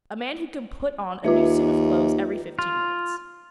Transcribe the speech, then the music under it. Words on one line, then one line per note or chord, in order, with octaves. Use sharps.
A man who can put on a new suit of clothes every fifteen minutes.
D#2 F4 B4 E5
F4